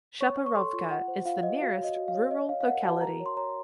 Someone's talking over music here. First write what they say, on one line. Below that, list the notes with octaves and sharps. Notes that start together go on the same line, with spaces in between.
Shaparovka is the nearest rural locality.
C#5 C#6
C#5
C#6
A4 C6
F4
F4 F#5
C5
F4 F5
C5 D#5
F#4 F5
C#5
D#5
F#4
F5
C#5
C#5 D#5
C#5 F5
F5
A#4 F#5
F#4 A5
A#4 A#5
C#5
C6
C#5 A#5